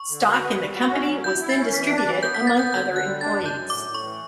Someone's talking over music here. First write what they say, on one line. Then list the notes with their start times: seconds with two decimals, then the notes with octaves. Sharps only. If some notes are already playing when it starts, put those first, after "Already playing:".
Stock in the company was then distributed among other employees.
Already playing: C#6
0.10 D3
0.26 F#4
0.42 B4
0.59 G3
0.75 F#4
0.91 C#4
1.08 F#3
1.24 E4 G6
1.40 E4
1.49 A6
1.57 C#4
1.73 E3 B6
1.90 D4
1.98 A6
2.07 E3
2.23 B3 G6
2.34 B3 B6
2.47 A6
2.56 B3 G6
2.72 D3 G6
2.88 D3
2.96 F#6
3.05 G3
3.21 D4 A6
3.37 F#2
3.46 G6
3.54 F#2
3.70 A2 D6
3.87 A2
3.94 C#6
4.03 E3